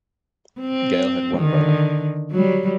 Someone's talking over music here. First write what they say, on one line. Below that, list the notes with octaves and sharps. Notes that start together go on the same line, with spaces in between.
Gale had one brother.
C4
D3 D#3
F#3 G3